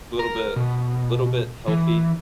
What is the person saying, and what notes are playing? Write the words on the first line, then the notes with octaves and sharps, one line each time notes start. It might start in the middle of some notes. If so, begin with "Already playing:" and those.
Little bit little bit healthy,
A#4
B2
E3